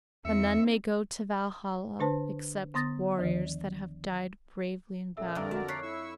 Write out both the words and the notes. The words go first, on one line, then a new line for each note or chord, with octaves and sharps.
But none may go to Valhalla except warriors that have died bravely in battle.
E2 C4 D#4 E5 C#7
D3 D4 B4 C5 A5
D3 B3 C6 D#6 A6 A#6
D#2 D#3 F3
A#2 C#3 A4 E5 E6
F2 D3 A3 A#4 D5
F#4 F#5 A5
C#5 F#6 B6 C7
E4 C#6 E6